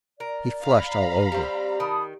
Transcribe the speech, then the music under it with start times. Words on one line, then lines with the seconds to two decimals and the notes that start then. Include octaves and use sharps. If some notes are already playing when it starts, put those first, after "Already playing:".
He flushed all over.
0.20 A#4 D5
0.63 F5 A#5 B5
1.32 G3 C4
1.80 D#3 A5 B5 D#6